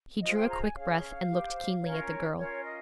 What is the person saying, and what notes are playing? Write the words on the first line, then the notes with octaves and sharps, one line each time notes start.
He drew a quick breath and looked keenly at the girl.
F4 G#4 C5 D#5
G5
A#5
G#5
C#4 G#4 C#5 F5
G4 C5
C#4 F4 A#4 C#5
C#4 F4 A#4 C#5
D#5